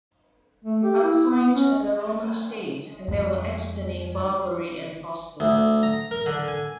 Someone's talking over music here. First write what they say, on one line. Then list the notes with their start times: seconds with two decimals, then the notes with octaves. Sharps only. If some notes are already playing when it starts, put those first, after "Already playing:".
Outside the Roman state, there were "externi", "barbari" and "hostes".
0.65 A3
0.84 G4
1.03 E4
1.31 B3
1.52 C#4
3.08 F2 G#3
5.40 D2
5.83 A#5
6.11 A#4
6.26 D3
6.48 G#5